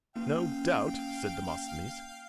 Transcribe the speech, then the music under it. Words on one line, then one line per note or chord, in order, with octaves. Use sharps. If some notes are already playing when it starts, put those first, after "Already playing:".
"No doubt," said Demosthenes.
A#3 C#4 F5 G5